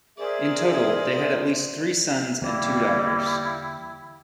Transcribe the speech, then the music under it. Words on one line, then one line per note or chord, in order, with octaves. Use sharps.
In total, they had at least three sons and two daughters.
G#4 A#4 C5 D5 E5
E2 D3 E3 G3 A#3 E4